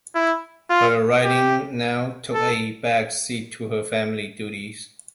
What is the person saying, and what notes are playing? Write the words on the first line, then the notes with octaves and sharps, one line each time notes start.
Her writing now took a back seat to her family duties.
E4
F4
G4
A4